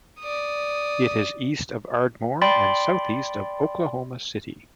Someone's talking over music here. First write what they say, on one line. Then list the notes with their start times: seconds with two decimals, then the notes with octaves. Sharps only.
It is east of Ardmore and southeast of Oklahoma City.
0.20 D5 D#6
2.42 D5 G5 B5 C6 A6